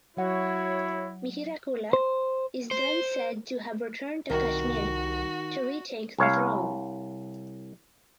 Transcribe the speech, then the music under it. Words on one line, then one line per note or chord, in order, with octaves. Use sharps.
Mihirakula is then said to have returned to Kashmir to retake the throne.
F#3 E4 F#4 C#5 F#5
C5
C5
C2 D#3 F#4
C2 C#5 F5